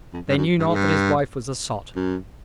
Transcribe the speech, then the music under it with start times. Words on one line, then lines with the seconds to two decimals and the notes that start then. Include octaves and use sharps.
They knew not that his wife was a sot.
0.13 F2
0.28 G2
0.37 F#2
0.59 G2
0.67 G#2
0.76 G2
1.96 F#2